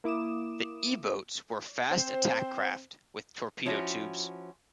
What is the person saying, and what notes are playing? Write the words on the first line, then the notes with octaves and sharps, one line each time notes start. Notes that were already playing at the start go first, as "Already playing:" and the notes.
The E-boats were fast attack craft with torpedo tubes.
A#3 E4 D6 D#6 E7
C4 C5
F3 C#4 E4 F#4